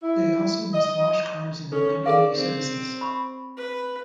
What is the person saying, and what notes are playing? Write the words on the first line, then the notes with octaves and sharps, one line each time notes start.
They also must wash cars and do community services.
E4
D#5
C#4 A4
G#4 A#4 D5 F5
C4
B5 C#6
B4